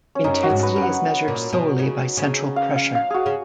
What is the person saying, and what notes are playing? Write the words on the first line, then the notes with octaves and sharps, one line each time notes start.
Intensity is measured solely by central pressure.
C#4
F#2 D#4
F#4
G#2
B4
F#2
F#5
A#2
B2
C#3
C#3
F5
F5
F5
F#4 G#4
C#3